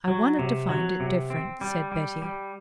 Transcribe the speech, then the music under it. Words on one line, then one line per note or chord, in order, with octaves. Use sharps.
"I wanted to find it different," said Betty.
F#3
C3
F#3
C3
C4
G3
G3
G3